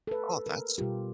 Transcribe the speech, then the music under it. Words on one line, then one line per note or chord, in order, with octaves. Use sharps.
Oh, that's
A4 B4
A#4
B2 G3 F4 G4